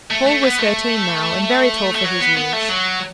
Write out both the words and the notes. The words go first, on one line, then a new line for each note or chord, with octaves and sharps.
Paul was thirteen now and very tall for his years.
A3
A3
B3
A3
A3
F#3
B3
B3
A3
F#3